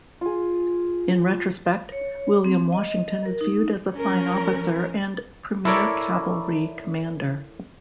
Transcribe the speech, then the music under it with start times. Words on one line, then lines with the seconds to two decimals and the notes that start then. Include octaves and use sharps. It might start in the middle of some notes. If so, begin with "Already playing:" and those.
In retrospect, William Washington is viewed as a fine officer and premier cavalry commander.
0.21 F4 G#4
1.92 C#5
2.44 C4
2.73 D#5
3.26 A#4
3.41 D#4
3.92 F3 C#4 A#4
5.65 E4 A4 A#4 C#5 D5